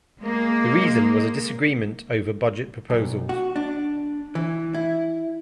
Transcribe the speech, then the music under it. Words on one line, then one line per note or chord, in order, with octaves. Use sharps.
The reason was a disagreement over budget proposals.
G#3 A#3
B1
F#4
D4
E3
E4